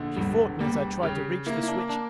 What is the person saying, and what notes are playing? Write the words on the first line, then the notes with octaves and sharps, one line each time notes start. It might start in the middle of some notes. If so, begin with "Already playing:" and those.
She fought me as I tried to reach the switch.
Already playing: A#1 D3
E1 G3
G3 A#3
C#3 G4
A#3 E4
E4
D4
D4